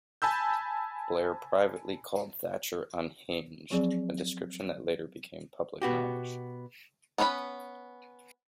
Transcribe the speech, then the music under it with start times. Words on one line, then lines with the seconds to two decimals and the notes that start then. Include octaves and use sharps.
Blair privately called Thatcher "unhinged", a description that later became public knowledge.
0.22 G#5 A5 B5 E6 G6
3.70 F3 F#3 C4 G#4 D5
5.82 B2 B3 F#4 G4
7.18 B3 C#4 B4 F5 B5